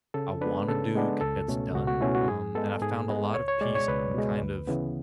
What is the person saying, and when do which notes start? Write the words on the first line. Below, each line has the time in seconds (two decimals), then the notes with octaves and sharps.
I wanna do gets done. Um, and I've found a lot of peace and kind of
0.14 C#3 A4
0.41 G#3 B3 D4 B4
0.68 C#3 A4
0.95 G#3 B3 D4
1.21 C#2 A4
1.48 B2 A3 C#4
1.74 C#2 F#4
1.88 F#4
2.01 B2 A3 C#4 E4
2.15 F#4
2.28 G#2 G#4
2.55 G#3 B3 A4
2.82 G#2 G#4
3.09 G#3 B3
3.34 C#2 C#5
3.48 C#5
3.61 B2 G#3 D5
3.75 C#5
3.88 C#2 B4
4.15 B2 G#3
4.42 D2
4.67 C#3 E3 B3